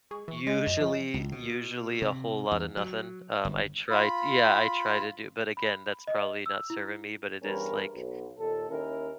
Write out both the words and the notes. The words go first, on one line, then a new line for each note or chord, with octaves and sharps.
Usually, usually a whole lotta nothing. Um, I tried yeah, I tried to do but, again, that's probably not serving me, but it is like
G#3 C#6
E3
G#3 D#5
F#2
F3
C#2
B2
C3
E2
F#3
G1
F4 B5
B5
D#5
E6
E4
E2 G2 C#4 A#4 B4
B1
D#2 A#2 A4
D#2 C#4 E4 A#4